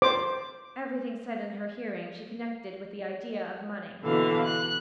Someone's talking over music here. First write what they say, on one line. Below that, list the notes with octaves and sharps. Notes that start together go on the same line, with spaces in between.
Everything said in her hearing she connected with the idea of money.
C5 D6
B2 D3 E3 F5
F#6